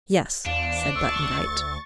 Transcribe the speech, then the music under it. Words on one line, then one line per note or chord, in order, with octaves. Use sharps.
"Yes," said Button-Bright.
E2 D4 C5 D5 F5
D2 C#6 E6 A6